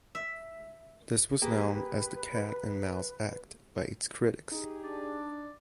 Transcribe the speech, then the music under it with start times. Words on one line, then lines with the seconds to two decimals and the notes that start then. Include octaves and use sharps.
This was known as the Cat and Mouse Act by its critics.
0.15 E5
1.42 A#3 G4 G#4 B4
4.51 D#4 G4 G#4
4.84 D4 D5